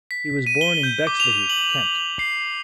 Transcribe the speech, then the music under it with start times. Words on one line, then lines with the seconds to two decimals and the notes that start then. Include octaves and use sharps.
He was born in Bexleyheath, Kent.
0.11 B6
0.47 D#7
0.61 G7
0.83 G6
1.07 D6
1.20 F7
1.49 F#7
2.19 C7